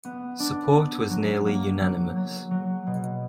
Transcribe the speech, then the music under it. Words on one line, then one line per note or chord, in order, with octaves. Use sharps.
Support was nearly unanimous.
B3
D4
B3
F#3
A#3
F#3
F#3
F#3
B2